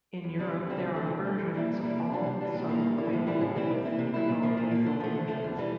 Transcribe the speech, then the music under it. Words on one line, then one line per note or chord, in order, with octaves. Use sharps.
In Europe there are versions also available with turbo diesel engines.
E2
D3 G3 C4
E2
D3 G3 C4
D2
D3 A3
D2
D3 A3
G2
E3 G3 A#3 E4
G2
E3 G3 A#3 E4
C3
E3 G3 D4
C3
E3 G3 D4
A#2
G3 A#3 E4
A#2
G3 A#3 E4
A2
E3 G3 C4 E4
A2
E3 G3 C4 E4
C3
E3 A#3 E4
C3
E3 A#3 E4
A#2
F3 A#3
A#2
F3 A#3
D3
F3 A3
D3
F3 A3
E2
E3 G3